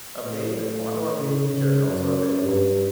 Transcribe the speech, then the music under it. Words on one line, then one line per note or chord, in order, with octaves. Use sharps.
A paid auto-update feature is also available.
A2
C#3
C#3
F#2
G2